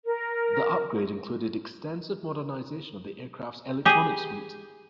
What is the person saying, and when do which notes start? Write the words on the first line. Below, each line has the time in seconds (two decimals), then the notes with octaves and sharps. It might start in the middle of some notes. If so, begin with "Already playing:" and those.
The upgrade included extensive modernisation of the aircraft's electronic suite.
0.05 A#4
3.85 G4 G#4